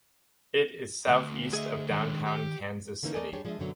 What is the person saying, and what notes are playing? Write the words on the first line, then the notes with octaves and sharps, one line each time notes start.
It is southeast of downtown Kansas City.
D2 G#2
G#4 D#5 E5
D#3 G#3 D4
G4
D3 E3 A#3 C#4 D#4
A3 A#4 D5 D#5 G#5
G3 D4 G4 G#4 C#5
F3 G#3 D4 C#5 D#5 E5
F#2 B2 D3 F#3